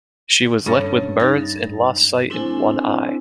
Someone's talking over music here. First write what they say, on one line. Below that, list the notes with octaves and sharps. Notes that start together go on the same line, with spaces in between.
She was left with burns and lost sight in one eye.
G2 C#4 A4 C#5
D#4 A6 A#6
C4 D4 E4 A4 C5 G#5